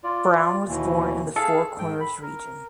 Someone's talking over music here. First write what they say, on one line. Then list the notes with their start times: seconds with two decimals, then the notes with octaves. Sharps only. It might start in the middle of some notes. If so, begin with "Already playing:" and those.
Brown was born in the Four Corners region.
0.04 F4 D5
0.68 D#2 B2 E3
1.36 G#4 A4 F5
1.78 G#2 G5
2.00 B5
2.22 A#4